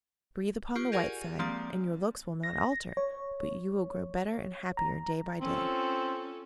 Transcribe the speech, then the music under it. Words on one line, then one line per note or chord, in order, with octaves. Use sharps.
Breathe upon the white side and your looks will not alter, but you will grow better and happier day by day.
F4 G4 C#6
G4 G#4 A#4 D5 F#5 G#5
F3 G#3 A#3 C4 D4 D5
A#6
C#5
A#5
C4 C#4 F4 A4